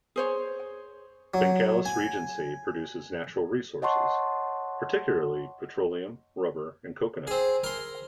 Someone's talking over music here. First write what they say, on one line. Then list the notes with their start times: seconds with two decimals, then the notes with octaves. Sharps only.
Bengkalis Regency produces natural resources, particularly petroleum, rubber, and coconut.
0.16 G#4 C5 C#5
1.34 F#3
1.85 G#5
3.82 C#5 D#5 F#5 A5 C6 C#6
7.27 C4 G#4
7.64 A#4 C6